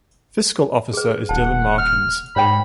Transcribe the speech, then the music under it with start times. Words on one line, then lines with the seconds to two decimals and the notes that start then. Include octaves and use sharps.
Fiscal Officer is Dylan Markins.
0.93 G#4 B4
1.29 D#1 F#5 A5
1.78 F6
2.36 G#2 B4 C#5 G5 B5